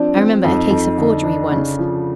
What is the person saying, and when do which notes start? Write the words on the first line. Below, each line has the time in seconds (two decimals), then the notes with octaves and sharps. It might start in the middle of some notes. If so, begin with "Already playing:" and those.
I remember a case of forgery once.
Already playing: F3 C4 D4
0.16 C4
0.44 F2 D#4
0.71 F2
0.98 D3
1.24 D4
1.51 C#3
1.79 F3